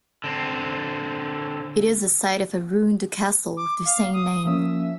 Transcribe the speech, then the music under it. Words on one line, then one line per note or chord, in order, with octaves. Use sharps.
It is the site of a ruined castle of the same name.
D3 C4
D6
F5
D#6
F3 A#3 C#4 E5